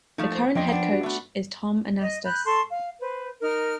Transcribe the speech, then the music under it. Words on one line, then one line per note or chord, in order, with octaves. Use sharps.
The current head coach is Tom Anastos.
F3 A3 D#4
C5
F3 D4 D#5 G5 C6
B3 D4
F#4
A3 B3
D#5
B5 F#6 G6
A4 A5 C6 C#6
F5
B4 C5
D#4 A#4 A#5 F6